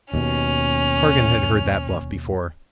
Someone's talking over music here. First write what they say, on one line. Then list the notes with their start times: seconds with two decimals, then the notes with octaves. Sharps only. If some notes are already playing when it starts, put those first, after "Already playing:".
Cargan had heard that bluff before.
0.14 D#2 B2 C#4 F6